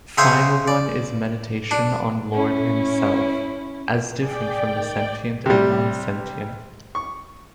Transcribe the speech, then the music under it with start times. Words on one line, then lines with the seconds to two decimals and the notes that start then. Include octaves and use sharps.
Final one is meditation on Lord Himself, as different from the sentient and non-sentient.
0.18 C#3 C5 E5 F#5 G#5 D#6
0.68 D5
1.71 D4
2.32 C#4 E4
4.19 G#4 D5 G5
4.73 D#3
5.46 C3 G3
6.95 C#6